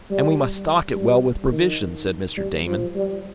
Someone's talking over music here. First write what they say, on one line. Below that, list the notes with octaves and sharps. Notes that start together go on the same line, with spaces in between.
"And we must stock it well with provisions," said Mr. Damon.
G3
G3
D#3
G3
F3
G3